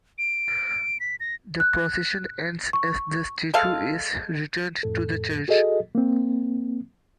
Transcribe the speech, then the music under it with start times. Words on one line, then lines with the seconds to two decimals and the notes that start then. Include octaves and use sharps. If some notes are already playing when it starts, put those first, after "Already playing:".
The procession ends as the statue is returned to the church.
0.18 D7
1.00 B6
1.20 A#6
1.60 F#6
2.73 C#6
3.54 G#3 A4 F5
4.83 F2 A2 A4
5.48 F#4 G#4 A4 D#5
5.95 A#3 C4